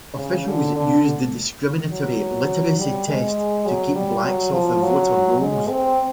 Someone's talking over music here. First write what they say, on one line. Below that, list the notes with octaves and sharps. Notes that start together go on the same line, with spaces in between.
Officials used the discriminatory literacy test to keep blacks off the voter rolls.
C#3
D3
D3
F#3
G3
G#3
F#3
G3
F#3
F3
F#3
G#3
C4